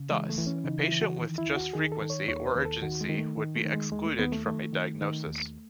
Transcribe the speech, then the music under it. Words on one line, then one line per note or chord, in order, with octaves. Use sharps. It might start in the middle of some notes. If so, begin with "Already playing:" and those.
Thus, a patient with just frequency or urgency would be excluded from a diagnosis.
Already playing: C#3
E3 G#3
A3
E3
C#4
C#3 D#4
E4
E3
F#4
D#3
E4
D#2
F#4
D#3 G#4
A4
D#3
C#5
D#2 C#5
B4
D#2
A4
D#3 F#4
G#3
D#3
A3
D#3
A3
D#3
G#3
D#2 G#3
A3
D#2 B3
A3
D#3 A3
D#3
D#3
D#2